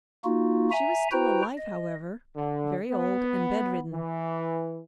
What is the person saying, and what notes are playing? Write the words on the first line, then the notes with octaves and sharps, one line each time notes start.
She was still alive, however, very old, and bedridden.
A#3 D#4 F4 F#4
E5 G#5 A#5
E4 F#4 B4 C5 G5 A#5
D#5
D3
B3
E3